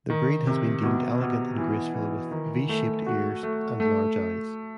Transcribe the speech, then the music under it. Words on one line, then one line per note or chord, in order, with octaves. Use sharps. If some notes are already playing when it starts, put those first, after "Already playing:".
The breed has been deemed elegant and graceful with V-shaped ears and large eyes.
D#3
C3
B2
B2
E3
E3
D#3
A3
F#4
A3
A3